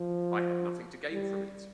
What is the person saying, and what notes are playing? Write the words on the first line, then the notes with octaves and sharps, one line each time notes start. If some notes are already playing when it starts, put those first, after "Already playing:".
I had nothing to gain from it.
Already playing: F3
G3